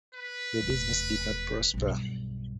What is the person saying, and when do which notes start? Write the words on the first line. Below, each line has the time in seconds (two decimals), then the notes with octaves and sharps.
The business did not prosper.
0.15 B4
0.62 F1 E2
1.74 B1 G2